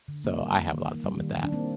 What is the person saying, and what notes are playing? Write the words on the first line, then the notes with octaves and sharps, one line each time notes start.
so I have a lotta fun with that.
D3
A#3
G3
D#3
D#3
A#3
G3
D#3
D#3
D4
A#3 C4